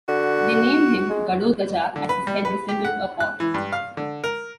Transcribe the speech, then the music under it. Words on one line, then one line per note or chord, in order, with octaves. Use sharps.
They named him Ghatotkacha as his head resembled a pot.
D3 F#4
G#3
D3
B4
G3
B4
G4
F#5
F#6
E3
G2
F5
D3
A#4